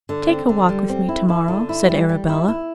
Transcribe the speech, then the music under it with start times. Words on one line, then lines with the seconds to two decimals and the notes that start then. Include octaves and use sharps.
"Take a walk with me to-morrow," said Arabella.
0.09 D3
0.29 C4
0.49 D3
0.69 G3
0.89 C4
1.09 E4
1.28 E4
1.48 D3
1.69 E4
1.89 G3
2.09 G3
2.29 E4
2.48 E4